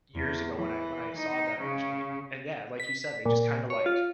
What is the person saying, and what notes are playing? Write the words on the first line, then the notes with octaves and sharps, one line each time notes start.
years ago when I when I saw that originally. And yeah, like you said, they just kinda, like,
E2
E3
D#4
C#3
B6
A#2
C#5
F4